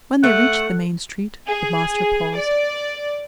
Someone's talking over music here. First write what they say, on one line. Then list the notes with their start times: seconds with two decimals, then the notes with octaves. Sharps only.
When they reached the main street the master paused.
0.23 A3 F#5
1.48 G#4
2.37 D5